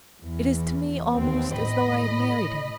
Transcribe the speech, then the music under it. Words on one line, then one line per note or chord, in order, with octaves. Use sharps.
It is to me almost as though I had married him.
E2
D#2 B3 C4
A2 D#5 B5